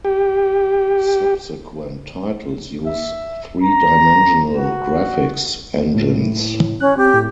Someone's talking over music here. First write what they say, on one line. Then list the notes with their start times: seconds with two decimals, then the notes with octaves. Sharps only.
Subsequent titles use three-dimensional graphics engines.
0.05 G4
2.86 E5
3.62 A#5
4.57 F#4
5.94 A2
6.80 C#4 F#6
6.97 C4 G4
7.14 A2